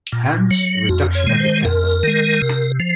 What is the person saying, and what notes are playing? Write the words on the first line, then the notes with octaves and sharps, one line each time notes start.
Hence, reduction at the cathode.
A#2
F#3
F2 F#4
C#5
D#3 G#3
C5
F2 A#4
D#3 G#3
C3
F3